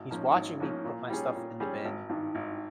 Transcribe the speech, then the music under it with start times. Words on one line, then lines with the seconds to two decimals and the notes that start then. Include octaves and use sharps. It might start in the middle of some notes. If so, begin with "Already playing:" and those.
He's watching me put my stuff in the bin,
Already playing: G#1
0.11 G#2 F3 A#3 C#4
0.35 G#1
0.60 G#2 F3 A#3 C#4
0.85 A#2
1.10 G3 C#4 G#4
1.35 A#2
1.60 G3 C#4 G#4
1.85 G#1
2.09 G2 D#3
2.35 G#1